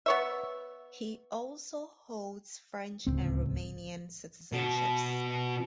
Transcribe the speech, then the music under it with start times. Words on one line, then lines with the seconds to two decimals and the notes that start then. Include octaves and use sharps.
He also holds French and Romanian citizenships.
0.06 B3 C#5 E5
3.07 D1 C#2 C4
4.52 B2